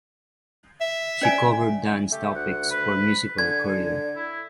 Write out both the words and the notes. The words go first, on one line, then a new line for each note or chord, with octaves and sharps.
She covered dance topics for "Musical Courier".
E5
C#4 D5 G#5
A3 G4
D2 F#5
B4
D3 G#5 G#6
E4